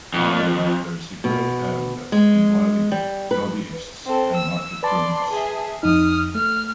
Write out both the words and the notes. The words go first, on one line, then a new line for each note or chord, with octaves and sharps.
However, there is a grey area involving lobbyists and market rumours.
F2
B2
G#3
G3
B4
C4 A4
E6
B4 D5 A5 C6
G#4 E5
F2 D#4 D#6 F6
A3 F6